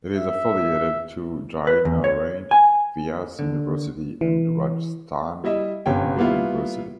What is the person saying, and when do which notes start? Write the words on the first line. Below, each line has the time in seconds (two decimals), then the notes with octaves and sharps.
It is affiliated to Jai Narain Vyas University and Rajasthan Technical University.
0.16 E5
1.67 B4
1.85 E2
2.04 C#5
2.51 G#5
3.39 D3
4.21 E3
5.44 G3 E4 D#5 E5
5.86 G1 C3 C#4 G5
6.16 G3 A#3 B3 E4 F4